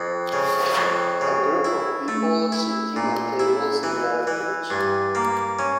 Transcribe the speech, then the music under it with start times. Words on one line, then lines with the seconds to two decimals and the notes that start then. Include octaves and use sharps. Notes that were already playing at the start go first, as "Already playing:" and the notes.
A group of people sitting at tables near a beach.
Already playing: F2
0.33 C#3
0.77 F2
1.21 C#3
1.65 E4
2.08 A3
2.52 E4
2.96 A#2
3.40 E4
3.83 E3
4.27 E3
4.70 G2
5.15 A#3
5.59 C#4